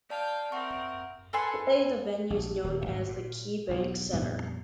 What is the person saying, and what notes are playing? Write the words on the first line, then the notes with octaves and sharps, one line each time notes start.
Today, the venue is known as the KeyBank Center.
D5 F5 G5 A5
C4 A#4 E5 F#5 C#6
A4 B4 G#5 C6
A#1
D#1
G#1 G3
A#2
B1 E2
F2 A#2 G3 B3